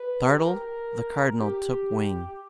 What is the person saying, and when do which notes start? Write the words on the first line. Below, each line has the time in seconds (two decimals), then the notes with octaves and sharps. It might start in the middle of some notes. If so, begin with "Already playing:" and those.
Startled, the Cardinal took wing.
Already playing: B4
0.27 G4
0.35 A#4
1.39 G4